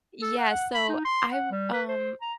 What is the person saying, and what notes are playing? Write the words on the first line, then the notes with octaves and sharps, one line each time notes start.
Yeah, so I'm, um,
A4
F#5
F#5
B5
D#4
C6
F#5
G3
B4
C5
A#5